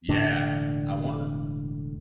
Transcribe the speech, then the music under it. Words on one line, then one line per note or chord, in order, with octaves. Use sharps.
Yeah! I wanna
E1 A2 D3 D4